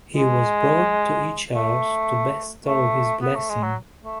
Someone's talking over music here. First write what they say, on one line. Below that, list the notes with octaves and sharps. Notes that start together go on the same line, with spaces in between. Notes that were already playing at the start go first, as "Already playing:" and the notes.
He was brought to each house to bestow his blessing.
G#3
A3
A3
B3
A3
G#3
F#3
A3